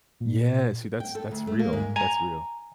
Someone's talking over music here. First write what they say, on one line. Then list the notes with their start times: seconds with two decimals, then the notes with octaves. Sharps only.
Yeah, see, that's that's real, that's real.
0.20 A#2
1.00 G5
1.15 A4
1.31 D2
1.47 A3
1.59 A#3
1.73 G#2
1.96 G#5 A#5